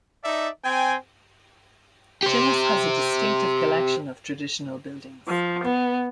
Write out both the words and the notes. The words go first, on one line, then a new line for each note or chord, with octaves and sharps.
Shinas has a distinctive collection of traditional buildings.
D#4 A4 D5 E5
C4 G5 G#5
G4 C5
F3
B3